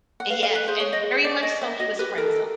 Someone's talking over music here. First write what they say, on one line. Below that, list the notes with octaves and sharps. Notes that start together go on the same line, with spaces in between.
Yes, and very much so he was friend zoned,
F#5
B4 F5
F5
A4
B4
G#4 C5
C#5
D#5
D5
D#5
E5
F#4 D#5
G4 B4
A4 A#4